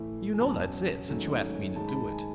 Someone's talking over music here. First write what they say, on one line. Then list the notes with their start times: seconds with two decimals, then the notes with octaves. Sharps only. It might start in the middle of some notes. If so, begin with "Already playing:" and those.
You know that's it, since you ask me to do it.
Already playing: A2 E3 A3 E4
0.34 G#5
0.40 E2 B2 F#3 C#4 A5
1.08 G#2 D#3 F#3 A3 C#4
1.76 G#2 D#3 G#3 A5
1.88 B5
1.93 A5
2.10 G#5